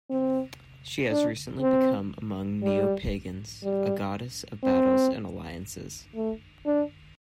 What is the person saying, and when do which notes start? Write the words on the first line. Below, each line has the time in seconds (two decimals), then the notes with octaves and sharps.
She has recently become among neo-Pagans, a goddess of battles and alliances.
0.10 C4
1.11 D4
1.61 C4
2.63 G3
3.64 G3
4.64 C4
6.16 A3
6.66 D4